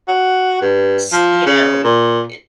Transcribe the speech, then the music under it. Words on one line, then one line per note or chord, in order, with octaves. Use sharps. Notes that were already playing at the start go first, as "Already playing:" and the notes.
s you know, uh uh
F#4
G2
F3
C#3
A#2